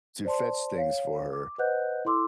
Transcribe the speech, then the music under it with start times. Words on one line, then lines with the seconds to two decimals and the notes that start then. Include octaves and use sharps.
to fetch things for her,
0.25 C5 D5 A5 C6
0.76 C#5 F5
1.33 D6
1.58 B4 C5 D#5 F#5 F#6 G6
2.05 E4 A4 C6 D6 E6